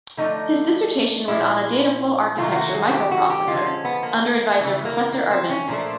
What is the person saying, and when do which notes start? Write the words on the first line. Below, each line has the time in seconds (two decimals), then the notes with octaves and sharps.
His dissertation was on a dataflow architecture microprocessor, under advisor Professor Arvind.
0.17 D3 F3 A3 D#4
1.28 A#2 F3 G#3 E4
2.38 C3 D#3 F#3 A3 F4
2.56 F#4
2.74 G#4
2.88 F#4
2.93 G4
3.11 F#4
3.30 G4
3.47 D3 F3 G#3 F4
3.66 C#4
3.85 B3
4.03 A#3
4.58 C#3 E3 A3
4.85 A#3
5.13 A#3
5.31 C4
5.50 C#4
5.68 A#2 F3 A3 D4